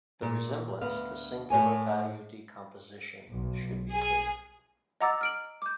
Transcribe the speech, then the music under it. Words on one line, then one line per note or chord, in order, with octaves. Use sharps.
The resemblance to Singular Value Decomposition should be clear.
A#2
D2 B3 F5
A2 C#5 G#5
B1
G#4
D#5 F#5 A#5 D6 E6 A6
F6 D7 F#7
D6 G6